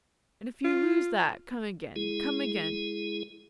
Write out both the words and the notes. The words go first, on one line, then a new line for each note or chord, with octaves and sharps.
"And if you lose that, come again, come again."
F4
G#3 E4 G#4